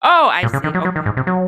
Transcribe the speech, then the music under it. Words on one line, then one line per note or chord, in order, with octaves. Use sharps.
oh, I see, okay.
A#2
C#3
D#3
F#3
F#3
D#3
G#2
C3
F#3